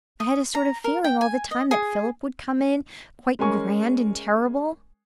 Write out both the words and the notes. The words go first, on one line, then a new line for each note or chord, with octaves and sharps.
I had a sort of feeling, all the time, that Philip would come in quite grand and terrible.'
D#6
A#5
A#4
G5
G#5
D#5
G#4
G#3 C#4 A#4 G#5 C#6